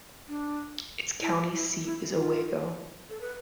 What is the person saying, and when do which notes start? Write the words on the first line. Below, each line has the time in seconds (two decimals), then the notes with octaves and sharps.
Its county seat is Owego.
0.28 D4
1.21 E4
1.53 E4
1.84 E4
2.15 F4
3.10 A4
3.21 B4